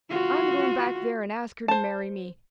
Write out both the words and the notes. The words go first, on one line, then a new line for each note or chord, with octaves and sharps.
I'm going back there and ask her to marry me.
F4 F#4
C5 A5